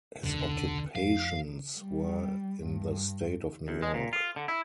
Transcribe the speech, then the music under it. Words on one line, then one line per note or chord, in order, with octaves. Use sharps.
His occupations were in the State of New York.
E1 C#2 D3
F2 F5
G3
G2
E2
G#3
A#2
F4
D3
E4